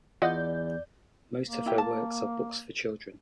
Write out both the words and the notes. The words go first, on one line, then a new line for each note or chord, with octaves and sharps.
Most of her works are books for children.
E2 F4 D5 D#5 F#5 G6
A#3
E4 G4
A5